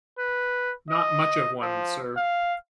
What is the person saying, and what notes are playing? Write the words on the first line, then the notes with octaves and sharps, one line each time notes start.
Not much of a one, sir.
B4
D#5
F3
F5